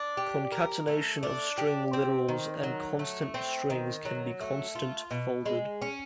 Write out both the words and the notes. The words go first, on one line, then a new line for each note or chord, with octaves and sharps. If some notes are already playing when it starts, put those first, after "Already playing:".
Concatenation of string literals and constant strings can be constant folded.
Already playing: D4
G4
A#4
A3
D4
G4
C4
D#3
F#3
A3
C4
D#3
F#3
A3
F4
B2
G#3
C#4